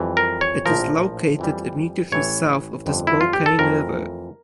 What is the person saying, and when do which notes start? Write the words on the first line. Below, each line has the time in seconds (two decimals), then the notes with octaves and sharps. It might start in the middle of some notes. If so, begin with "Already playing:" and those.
It is located immediately south of the Spokane River.
Already playing: F2 E3 G3
0.17 A#4
0.41 C#5
0.66 A#1 A2 F3 A#4
1.39 F2 E3 G3
2.12 A1 A2 E3 C#5
2.86 G1 F2 D3
3.07 E4
3.21 F4
3.33 G4
3.46 A4
3.59 F2 E3 A3 A#4